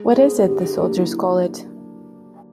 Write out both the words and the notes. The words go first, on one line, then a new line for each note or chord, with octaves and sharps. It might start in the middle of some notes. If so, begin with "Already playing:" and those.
What is it the soldiers call it?
Already playing: G#3
B3 E4 G#4 A4 C5
D3 G4
G4
F#3 A#3 D4 G4
E4